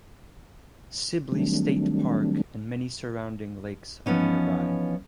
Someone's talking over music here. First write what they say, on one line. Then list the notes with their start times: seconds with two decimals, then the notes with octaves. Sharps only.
Sibley State Park and many surrounding lakes are nearby.
1.32 D#3 F#3 G3 A3 C4 D4
4.06 E3 F3 B3 C#4 D#4